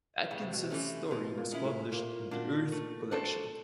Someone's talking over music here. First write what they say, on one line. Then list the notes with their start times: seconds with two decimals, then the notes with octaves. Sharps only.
Atkinson's story was published in the "Earth" collection.
0.31 A2 C#3
0.42 C3
0.53 B2
0.63 C3
0.70 E3 A3 C#4
1.11 B2 F3
1.38 A#2
1.51 G#3 C#4 E4
1.64 A2
1.92 A#2 A#3
2.31 A#2 D4 F#4
2.72 A3
3.11 D4 F#4 A4 C5